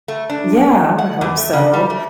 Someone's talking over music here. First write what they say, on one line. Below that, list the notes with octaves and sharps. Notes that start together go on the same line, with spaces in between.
Yeah, I would hope so.
A3
D4
F#5
E2
A3
C#3
G3
A3